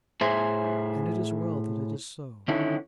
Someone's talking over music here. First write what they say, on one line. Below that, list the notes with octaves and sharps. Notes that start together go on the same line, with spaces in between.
And it is well that it is so.
A2 G#4 C5 E5 G#5 A#5
D3 D#3 C#4 E4